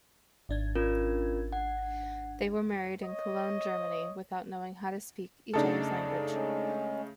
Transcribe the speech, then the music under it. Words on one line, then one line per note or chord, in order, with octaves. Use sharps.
They were married in Cologne, Germany, without knowing how to speak each other's language.
G#1 D4 G#6
C#4 F4 A#4
F#5
C#5 D#5
C#3 A3 D4 D#4 G#4 A4
G#3 C#4